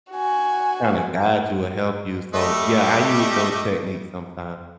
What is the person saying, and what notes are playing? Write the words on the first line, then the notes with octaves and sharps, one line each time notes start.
kinda guide you or help you, so, yeah, I use those techniques sometimes.
F#4 G#5
G3 A3 D#5